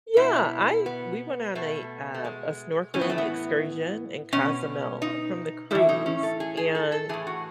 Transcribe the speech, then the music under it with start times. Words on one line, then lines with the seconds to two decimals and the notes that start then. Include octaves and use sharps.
Yeah, I we went on a, uh, a snorkeling excursion in Cozumel from the cruise, and
0.17 B2 E4
0.86 B3
1.55 B2 A3
2.14 A3
2.25 G#3
2.94 A2 E3 C#4
3.01 B3
3.10 A3
3.18 B3
4.33 B2 C#4
5.02 D#4
5.71 A2 E3 E4
5.89 D#4
6.06 C#4
6.23 A4
6.40 G#4
6.57 G#4
6.75 A4
6.92 A4
7.09 A2 E3 G#4
7.27 F#4